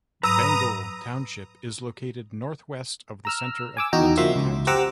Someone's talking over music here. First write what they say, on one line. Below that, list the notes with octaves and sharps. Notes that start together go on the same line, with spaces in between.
Bengal Township is located northwest of the center of Clinton County.
G#2 F#3 B4 A#5 D#6 E6
A#5 E6 F6
G#5 D6 E6
E2 D#4 F#4 G5 A#5
F3 A#3 F#4 E5 C6
C#2
G4 C5 F#5 A#5 D6 E6